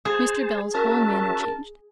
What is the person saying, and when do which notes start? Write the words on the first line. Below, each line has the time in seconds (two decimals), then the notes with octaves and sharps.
Mr. Bell's whole manner changed.
0.05 G#4 C5 A5
0.74 C#4 F#4 A#4 E5 A5